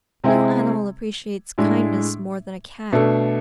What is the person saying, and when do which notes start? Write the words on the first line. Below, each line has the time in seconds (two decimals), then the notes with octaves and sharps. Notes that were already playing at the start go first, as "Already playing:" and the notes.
No animal appreciates kindness more than a cat.
0.24 C3 G#3 C4 E4 G#4
1.58 A2 G#3 D4
2.92 B2 A3 D4 A4